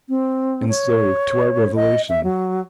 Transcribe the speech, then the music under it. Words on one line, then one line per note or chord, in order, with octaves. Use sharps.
And so to our revelation.
C4
C#5
D#5
E5
F#3